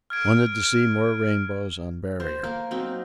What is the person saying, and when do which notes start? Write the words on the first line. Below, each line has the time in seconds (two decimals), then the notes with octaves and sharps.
Wanted to see more rainbows on Barrier.
0.10 F6 G#6 D7
2.20 C5
2.44 A#3
2.71 F#3 C4 D#4